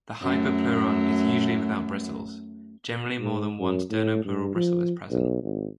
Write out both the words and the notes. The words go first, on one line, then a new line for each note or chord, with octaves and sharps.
The hypopleuron is usually without bristles; generally, more than one sternopleural bristle is present.
F#2 A3
G#2
F#2
A2
G2
F3
B1
G#1